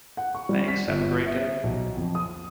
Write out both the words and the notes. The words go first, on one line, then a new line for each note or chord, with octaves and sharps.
Thanks, have a great day.
F#5
C#6
G3
B6
G1
E5
B1
F2
D#6